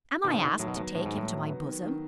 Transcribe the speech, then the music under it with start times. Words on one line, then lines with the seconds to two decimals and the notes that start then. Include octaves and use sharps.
Am I asked to take him to my bosom?
0.24 B2 D#3
0.34 C#3
0.41 B2 D#3
0.59 A2 F#3
0.67 B2
0.76 A2 B3
0.94 A2 D#3
1.05 G#2
1.12 A2 D#3
1.29 F#3
1.47 B3
1.65 D#3
1.82 D#3